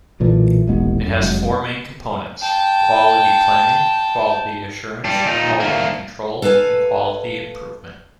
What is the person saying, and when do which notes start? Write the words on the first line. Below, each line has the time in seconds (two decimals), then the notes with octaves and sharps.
It has four main components: quality planning, quality assurance, quality control and quality improvement.
0.20 B1 A#2 E3 A3
0.67 D#1 A1 G#3 B3
1.06 F#2
1.19 F1 F#3 G#3
2.41 G5 A5
5.04 G3 D4
5.26 A#2 D#4
5.60 D2 A#3
6.42 A4 B4 F5 F#5 G#5